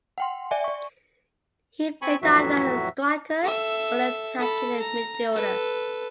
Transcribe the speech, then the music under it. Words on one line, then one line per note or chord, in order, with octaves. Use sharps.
He played either as a striker or an attacking midfielder.
F#5 G5 C6
D5 E5 G#5
D5 C#6
C4 G#5 B5 C#6
F2 A2 E3 F#3 F#4 E5
A4 E5
A4 B5
A#5
A4 B4